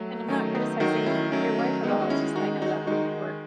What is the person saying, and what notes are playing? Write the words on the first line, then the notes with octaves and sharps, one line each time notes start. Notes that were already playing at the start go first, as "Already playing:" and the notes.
And I'm not criticizing your wife at all, it's just I know that wouldn't work.
Already playing: F#3 A3
D#3 F#3 A3 C#4
B3 D#4
D#3 F#3 A3 D#4 F#4
C#4 E4
D#3 F#3 A3 C#4
C#4
D#3 G#3 B3 D#4
F#4
C#4 E4
D#3 G#3 D#4 F#4
D#4 F#4
D#3 G#3 D#4 F#4